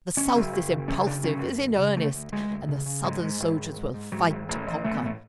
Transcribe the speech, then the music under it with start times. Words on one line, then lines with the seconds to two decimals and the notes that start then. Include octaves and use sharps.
The South is impulsive, is in earnest, and the Southern soldiers will fight to conquer.
0.16 F#1 C#4
0.35 F#1
0.52 F#1
0.71 C#3
0.88 F#1 C#4
1.06 C#3 D4
1.24 F#1 C#4
1.42 F#2
1.60 D2
1.78 C#3
1.96 D2 A3
2.14 D2
2.32 D2 G#3
2.50 D2
2.68 C#3
2.86 C#3
3.04 G#2 G#3
3.22 G#2
3.40 G#1
3.58 G#2
3.76 G#2
3.94 G#2
4.12 G#2 F#3
4.30 G#1
4.48 A1
4.66 A1
4.84 A1 A3
4.95 B3
5.02 A2 A3